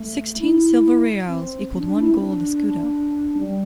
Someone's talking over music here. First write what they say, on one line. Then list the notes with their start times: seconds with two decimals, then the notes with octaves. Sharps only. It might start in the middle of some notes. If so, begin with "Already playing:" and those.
Sixteen silver reales equalled one gold escudo.
Already playing: A3
0.39 E4
1.28 C4
1.73 C4
1.78 D4
1.99 E4
2.13 C4
2.19 D4
3.38 G3